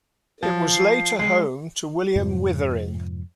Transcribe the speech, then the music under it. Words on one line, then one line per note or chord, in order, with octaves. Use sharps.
It was later home to William Withering.
F3
C7
G#3 C7
F2 G#2 C3 F3